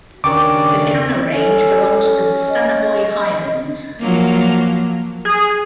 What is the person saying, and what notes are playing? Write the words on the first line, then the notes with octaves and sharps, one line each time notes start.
The Kalar Range belongs to the Stanovoy Highlands.
D#2 C#3 D4 A#4 D5 G5 C#6 D6
C#4 A4
D#5
F3 F#3 A#3
G#4